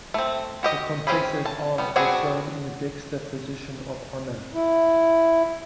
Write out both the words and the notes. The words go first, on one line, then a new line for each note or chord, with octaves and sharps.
The Confessor's arms were shown in the dexter position of honour.
A3 C4
F#4 G4 D#5
C4 C#4 G4 G#4 B5
A5
G3 B3
B3 C4 D4 F#4 G#4
E4